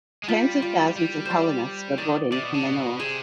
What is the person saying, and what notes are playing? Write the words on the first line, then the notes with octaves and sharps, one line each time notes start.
Tens of thousands of colonists were brought in from the north.
G#3
G3 F4
F4
G3
C5 D5
D#3 D5
C3 D5
B2
D3
B2
C3 G#4